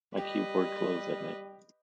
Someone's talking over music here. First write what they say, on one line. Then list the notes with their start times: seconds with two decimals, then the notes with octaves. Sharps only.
My keyboard glows at night.
0.17 G3 G4 B4 D#5